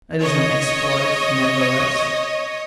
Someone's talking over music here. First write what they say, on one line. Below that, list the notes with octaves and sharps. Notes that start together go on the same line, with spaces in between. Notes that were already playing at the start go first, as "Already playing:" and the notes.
"It is an exploit, nevertheless."
C#5 D#5